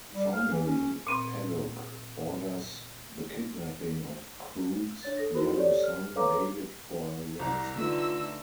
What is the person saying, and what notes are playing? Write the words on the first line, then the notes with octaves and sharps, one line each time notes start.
Finally, Paduk orders the kidnapping of Krug's young son, David, for a ransom.
G3
F5
E3
C#4
A#2 C4 B5
D4 C#5 A6
A4 A#6
D#4 E4 F#4 A#4 C5 B5
G4 A4 C#5 D5
F6
A4 B4 C#5 F5 A#5 D6
C2 A#5
D3 A3 D#4 F4 B4 E6